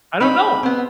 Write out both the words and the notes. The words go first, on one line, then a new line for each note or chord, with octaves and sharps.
I don't know 'em,
C4 D#4 B5
B3 C4